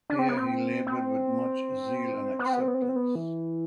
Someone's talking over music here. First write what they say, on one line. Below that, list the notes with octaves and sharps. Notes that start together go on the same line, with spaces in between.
Here he laboured with much zeal and acceptance.
D4
C4
B3
C4
C4
B3
C4
B3
C4
B3
C4
B3
C4
B3
E3